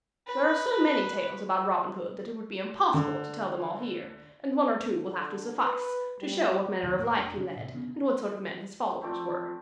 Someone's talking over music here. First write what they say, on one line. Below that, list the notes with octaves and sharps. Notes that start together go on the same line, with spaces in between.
There are so many tales about Robin Hood that it would be impossible to tell them all here, and one or two will have to suffice, to show what manner of life he led and what sort of men his followers were.
B4
D3
D3
B4
G3
D2 B2 D#3 E3
D#2 A2 A#3
F1 D4
C#3 D4
A2 C3
D#1 C#3 B3 D4
F3 A3 C4 D5